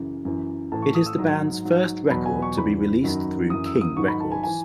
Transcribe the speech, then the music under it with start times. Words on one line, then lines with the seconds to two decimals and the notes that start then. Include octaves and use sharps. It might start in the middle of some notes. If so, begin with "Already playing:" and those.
It is the band's first record to be released through King Records.
Already playing: F#2 C#3 E3
0.25 F#2 E3
0.72 A2 E3 A5
0.82 C#6
0.95 D#6
1.06 E6
1.18 G#2 F#3
1.65 G#2 F#3
2.10 E2 B2 F#3 B5
2.26 G#5
2.42 C#6
2.57 E2 C#3 E3 B5
3.04 F#2 D#3 F#3
3.50 F#2 E3 D#6
3.66 E6
3.81 D#6
3.96 G#2 D#3 F#3 C#6
4.08 B5
4.20 A5
4.32 G#5
4.43 E3 G#5